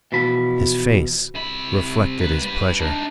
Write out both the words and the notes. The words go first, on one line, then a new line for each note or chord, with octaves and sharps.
His face reflected his pleasure.
B2 E3 F3 B5
C3 B5
A#3 B4
G3 B4
D4 D#4